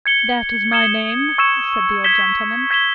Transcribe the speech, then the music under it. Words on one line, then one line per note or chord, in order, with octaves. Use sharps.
'That is my name,' said the old gentleman.
G#6 C#7 G7
D#6 G#6 C#7 E7 G7
C#6 E6 G#6 C#7 E7
G#6 B6 E7 G7
G#6 B6 E7 G7